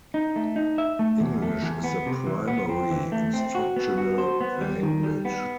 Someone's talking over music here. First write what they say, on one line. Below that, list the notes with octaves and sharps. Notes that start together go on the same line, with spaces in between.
English is the primary instructional language.
D#4
A3
D#4
E5
A3
E2
A3
E2
B3
C3
E3
B3
C4
E3
A3
C4
F#4
B3
F#4
C5
B3
G3
D#3
G3
B3